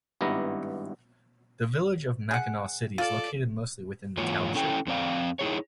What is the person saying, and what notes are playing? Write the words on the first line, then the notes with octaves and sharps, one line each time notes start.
The village of Mackinaw City is located mostly within the township.
G#1 G2 B3 E4 A#5
G#4 F#5
F4 A4 D5
G#2 E3 A#3 F4 C#5
C#4 E4 A4 G5
F2 C4 D5 F5
D#4 E4 G#4 C#5